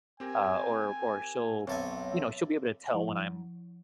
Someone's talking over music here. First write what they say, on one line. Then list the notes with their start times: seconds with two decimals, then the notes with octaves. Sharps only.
uh or or she'll you know, she'll be able to tell when I'm
0.20 C4 G4 A#4 G#5
1.67 B1 C4 A4 C#5 E5 G#5
2.91 F3 E4 F#5